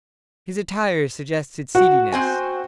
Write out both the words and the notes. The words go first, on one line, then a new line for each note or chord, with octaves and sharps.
His attire suggested seediness.
F#4 F#5
C4 C5 G#5